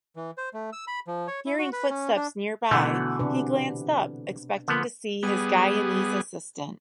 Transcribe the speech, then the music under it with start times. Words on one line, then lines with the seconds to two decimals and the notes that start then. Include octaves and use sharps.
Hearing footsteps nearby, he glanced up, expecting to see his Guyanese assistant.
0.16 E3
0.38 C5
0.54 A3
0.73 E6
0.87 B5
1.07 F3
1.28 C#5
1.46 E4
1.59 F#4
1.73 B4
1.90 C#4
2.16 D4
2.71 B2 D3 E3 A3 D4 F#5
3.19 C3 D4 B4
4.68 D3 F3 B3
5.23 G3 B3 G#4